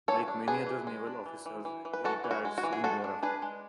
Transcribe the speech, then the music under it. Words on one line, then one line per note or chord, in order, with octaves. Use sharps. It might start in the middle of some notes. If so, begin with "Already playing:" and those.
Like many other naval officers, he retired soon thereafter.
E3 A4 C#5
D4
D4 G#4 B4
E3
G#3
D4
E3
E3
E3
E3
B4
E3 F#4 A4
E3
F#4
G#3
F#4
E3
G#4
G#3 F#4 A4
D4
D4 G#4 B4
G#3